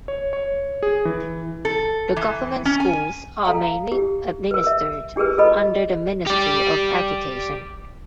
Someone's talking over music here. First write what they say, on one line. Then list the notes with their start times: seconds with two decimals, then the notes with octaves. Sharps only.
The government schools are mainly administered under the Ministry of Education.
0.08 C#5
0.33 C#5
0.83 G#4
1.05 E3
1.65 A4
2.16 E3
2.65 C#4
2.80 G#5
3.45 A4 F5 A#5
3.92 G4
4.51 A#4 B4
4.67 E5
5.16 D4 G4 G#4 A#4 B4
5.38 F4 A4 B4 D#5 B5
6.26 G4 D5